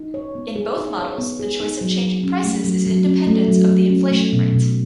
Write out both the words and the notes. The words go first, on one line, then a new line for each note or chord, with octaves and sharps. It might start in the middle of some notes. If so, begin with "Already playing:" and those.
In both models the choice of changing prices is independent of the inflation rate.
Already playing: D#4
C#5
B3
G#4
D#4
C#5
B3
G#4
D#4
F#3
F#3
C#4
A3
F#3
F#3
C#4
A3
F#3
F#3
C#4
A3
B2
B2